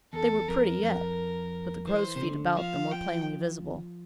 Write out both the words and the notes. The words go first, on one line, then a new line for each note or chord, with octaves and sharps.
They were pretty yet, but the crow's feet about them were plainly visible.
E2 A4
F2 A#4
F2
E3 C5
C3
D3
F3 F5
G5